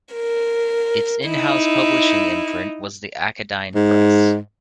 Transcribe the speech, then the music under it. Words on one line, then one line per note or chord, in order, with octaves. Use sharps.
Its in-house publishing imprint was the Akadine Press.
A#4
D#4 E4
G#2